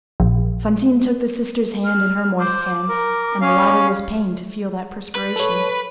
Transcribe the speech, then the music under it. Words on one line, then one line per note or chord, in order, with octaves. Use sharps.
Fantine took the sister's hand in her moist hands, and the latter was pained to feel that perspiration.
A#1
F6
C5 D6
D6
A#4
C#4 F5
B4
A4 C#5